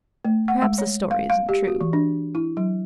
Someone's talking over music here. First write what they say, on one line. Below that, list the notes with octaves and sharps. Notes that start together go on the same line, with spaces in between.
Perhaps the story isn't true.
A3
F#5
G#3
C#5
F5
F5
G4
F#4
E3
D4
E4
F#3